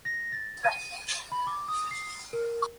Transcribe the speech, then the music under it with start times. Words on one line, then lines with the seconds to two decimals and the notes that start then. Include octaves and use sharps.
It is located in Manthani mandal.
0.05 A#6
0.32 A6
0.64 D#7
1.32 B5
1.47 D6
1.68 D#6
1.91 C7
2.33 A#4